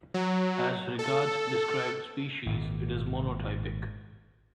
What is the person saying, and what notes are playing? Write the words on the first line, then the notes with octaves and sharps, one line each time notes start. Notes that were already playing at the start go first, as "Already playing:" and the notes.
As regards described species, it is monotypic.
F#3
A4
G#1 A#2